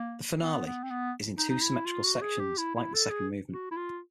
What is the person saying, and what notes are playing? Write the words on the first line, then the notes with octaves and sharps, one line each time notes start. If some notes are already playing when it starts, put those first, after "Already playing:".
The Finale is in two symmetrical sections, like the second movement.
Already playing: A#3
B3
B3
C4
B3
D#4
D#4
E4
F4
F#4
G#4
G4
E4
E4
A4
G#4
F#4
E4
F4